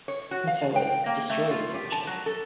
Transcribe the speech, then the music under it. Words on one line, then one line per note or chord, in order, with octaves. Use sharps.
and so it destroyed the friendship.
C#5
F#4
F5
G5
A#3
A3
F4
G4
A5
F#3
A4